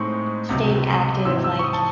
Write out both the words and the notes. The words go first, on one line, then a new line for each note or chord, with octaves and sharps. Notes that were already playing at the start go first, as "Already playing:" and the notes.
staying active, like,
Already playing: A2 G#3 C4 D#4 C#6
C#2 C3 F#3
G#2 E3 C4 D#4 E6
E6
C#6
D#6
A5